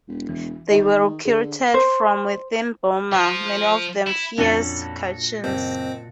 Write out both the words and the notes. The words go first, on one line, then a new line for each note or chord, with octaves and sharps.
They were recruited from within Burma, many of them "fierce Kachins".
E1
E3
D#3 G#4 D#5
D3 G#4
C5
F3
E4
F2 A#2 C#4 D4 F#4 A4 F#7
F#1 C4 D#5